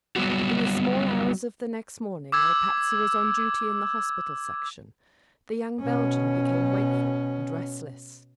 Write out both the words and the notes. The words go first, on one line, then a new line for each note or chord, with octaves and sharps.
In the small hours of the next morning, while Patsy was on duty in the hospital section, the young Belgian became wakeful and restless.
F#3 G3 B3 F#4
D6 E6 G#6
B2 C#4